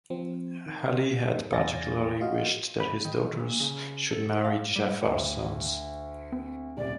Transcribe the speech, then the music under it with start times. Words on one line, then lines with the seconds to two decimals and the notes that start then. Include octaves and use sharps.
Ali had particularly wished that his daughters should marry Ja'far's sons.
0.10 F3 C4
0.66 D#3
1.29 D#3
1.52 E2 D5 F5 G#5 A6 A#6
2.21 F4 F#4 D#5 F5
2.80 B5
3.05 D#3
3.40 A#2
3.60 C#3
4.11 A4
4.44 F5
4.76 G3
5.01 D2
6.32 C4
6.77 D#1 C2 D5